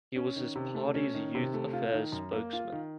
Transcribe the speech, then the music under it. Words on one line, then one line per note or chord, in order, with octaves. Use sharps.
He was his party's youth affairs spokesman.
C#4
D#3
C3
A3
C#4
D#3
C3
A3
F4
D#3
F#2
A#3
F4
D#3